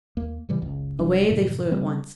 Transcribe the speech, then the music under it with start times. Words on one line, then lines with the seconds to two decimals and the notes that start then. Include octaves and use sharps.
Away they flew at once.
0.17 D#2 A#3
0.49 A2 C#3 E3 G3
0.61 F#1 C#2
0.99 F#1 C3 G3 D4
1.30 F#2 A2 C3 D#3
1.71 C#3 G3 B3 C4